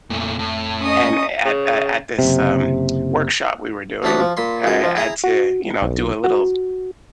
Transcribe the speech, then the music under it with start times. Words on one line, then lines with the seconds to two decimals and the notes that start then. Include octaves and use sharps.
and at at at this, um, workshop we were doing, I had to, you know, do a little,
0.10 F2 A#2 A3
0.39 A2
0.82 C#4 D#5 C#6 D#6
1.45 C#3
2.19 F#1 C3
4.03 A1 D2 A3 D4 B5 D#6
4.20 F3
4.37 A#2 B5 C6
4.64 C#2 F#2 G#4
4.83 F3
4.96 E4 G#4 A#5
5.24 F#4
5.82 B1
6.24 F#4